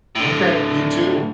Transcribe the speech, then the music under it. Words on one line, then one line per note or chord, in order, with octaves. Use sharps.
Okay, you, too.
A2 D3